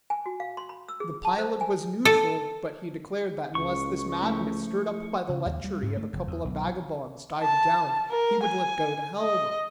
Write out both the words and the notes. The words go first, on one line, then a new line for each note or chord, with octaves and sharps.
The pilot was neutral, but he declared that unless this madness, stirred up by the lechery of a couple of vagabonds, died down, he would let go the helm!
G#5
F#4
F5
C6
B5
E6
G#4
A5
C5
G#5
A4
C#2 C#6
F3 A3 E4
C#3
D#2
G3
G#2
A3
F#1
E2
B1
A5
A#4
G#5
D#5